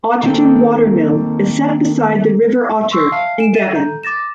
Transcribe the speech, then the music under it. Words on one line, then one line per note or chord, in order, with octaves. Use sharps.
Otterton Water Mill is set beside the River Otter in Devon.
D#3 A#3 C4 A4 G5
C6 C#6 E6 C7
E5 F5 A5 F6 C7
G#5 D7 E7
E5 A6 D#7 E7
A4 A#5 G6
D6 A6 A#6 E7